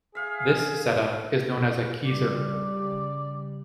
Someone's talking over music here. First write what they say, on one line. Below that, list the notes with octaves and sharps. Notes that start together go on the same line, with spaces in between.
This setup is known as a keezer.
G#4 E5 F5
C#3 G3 D5